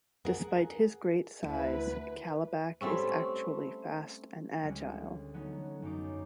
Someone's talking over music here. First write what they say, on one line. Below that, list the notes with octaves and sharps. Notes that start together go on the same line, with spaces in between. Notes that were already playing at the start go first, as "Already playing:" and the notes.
Despite his great size, Kalibak is actually fast and agile.
G#4 A#4 F#5
D2 E4 B4
G3 A3 C4 C#4
D2 G3 G#3 C#4 C#5
E3 F#3 A3 B3 C#4 D#4
F#2 B3 D#4 D6